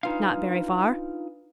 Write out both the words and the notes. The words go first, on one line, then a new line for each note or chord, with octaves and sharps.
"Not very far."
D4 D#4 F4 B4 F5